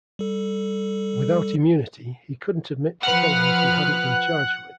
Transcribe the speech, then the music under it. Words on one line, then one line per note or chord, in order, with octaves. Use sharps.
Without immunity, he couldn't admit to killings he hadn't been charged with.
G3 A4
F3 B4 F#5 F6